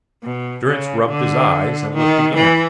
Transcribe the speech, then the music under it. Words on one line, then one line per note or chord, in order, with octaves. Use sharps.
Durrance rubbed his eyes and looked again.
B2
C#3
D3
D#3
E3